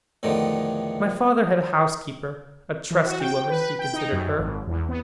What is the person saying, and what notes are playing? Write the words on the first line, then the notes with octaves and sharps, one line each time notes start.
My father had a housekeeper, a trusty woman, he considered her.
E2 A2 D3 D#3 F3
E3
F#4
G5
B4
G5
D#4
F#2
G#1
E2
B3